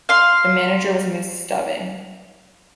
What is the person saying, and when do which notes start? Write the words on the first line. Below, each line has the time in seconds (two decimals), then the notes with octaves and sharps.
The manager was Moose Stubing.
0.09 F5 C6